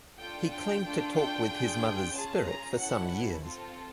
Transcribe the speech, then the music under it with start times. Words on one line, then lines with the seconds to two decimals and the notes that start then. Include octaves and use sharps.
He claimed to talk with his mother's spirit for some years.
0.18 D4 F4 A4 G5
0.51 G5
0.83 A3 D4 F4 A4
1.16 G5
1.48 D4 F4 G#4
2.13 C#4 F4 G#4 A5
2.46 A#5
2.78 C#4 E4 A4 F#5
3.43 C4 F4 A4